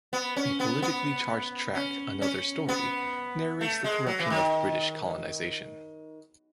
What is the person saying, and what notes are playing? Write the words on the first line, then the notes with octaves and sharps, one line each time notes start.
The politically charged track "Another Story" narrates the corruption of British colonization.
B3
C#4
B3
B3
C#4
C#4
B3
A3
G#3
F#3
E3
D#3